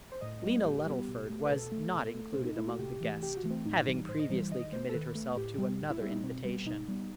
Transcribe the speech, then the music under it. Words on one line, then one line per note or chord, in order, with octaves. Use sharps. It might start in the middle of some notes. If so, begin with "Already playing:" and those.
Lena Luddleford was not included among the guests, having previously committed herself to another invitation.
C5
A2 D#5
G3 B3
A2 G4
G3 B3
B2
A3
B4
B2 A4
A3
B2
A3
B2 C4
D#4
A3 E4
F#4
C3 G4
E3 A3
C3 G4
F#4
E3 A3
C4
A2 D#4
E3 G3
A2 C5
D#5
E3 G3 C5
D#3 D#5
A3 C5
A4
D#3 B4
A3
A2 G4
G3 B3
A2
E4
G3 B3 E4
D#4
B2 C4
G3 B3
B2 D#4
G3 B3